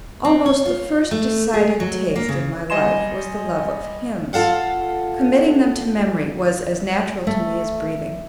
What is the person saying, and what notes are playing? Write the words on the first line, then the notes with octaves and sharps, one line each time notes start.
ALMOST the first decided taste in my life was the love of hymns. Committing them to memory was as natural to me as breathing.
C4
C#5
F4
A3
G#4
F#3
A#3
C#3
G3 D#5 G#5 C6 E7
F4 A4 F5 F#5
A3